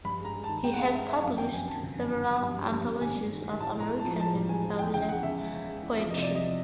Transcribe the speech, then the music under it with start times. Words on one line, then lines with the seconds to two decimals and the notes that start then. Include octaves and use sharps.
He has published several anthologies of American and Italian Poetry.
0.05 G2 B5
0.19 G#3
0.25 A#5
0.34 G#3
0.44 A5
0.49 D#3
0.64 G#3 G5
0.73 F#5
0.79 G#3 F5
0.93 C4 E5
1.08 C4 E5
1.23 F#2 F5
1.38 D#3 G5
1.53 F#2 G#5
1.68 D#3 A5
1.83 G1
1.97 F#2
2.12 D#3
2.27 F#2
2.42 G2
2.56 G3
2.71 G2
2.86 G2
3.01 G#1 G#5
3.16 G3
3.30 D#3
3.46 D#3
3.60 A2 A5
3.75 A2 A#5
3.90 G#3
4.00 A5
4.05 F3
4.20 G#3 A5
4.35 A1
4.49 G#3 G#5
4.64 F3
4.79 E2 G5
4.94 C#3 G5
5.09 C#3 F#5
5.23 C#3 E5
5.38 G#3
5.53 C#3
5.68 G#3
5.82 E2
5.98 F3 E5
6.10 C3 D#5
6.22 F3 D5
6.35 D#5